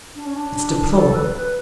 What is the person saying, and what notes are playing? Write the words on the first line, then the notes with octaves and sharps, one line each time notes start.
It's deplorable.
D4
C#4
D4
A4
B4
B4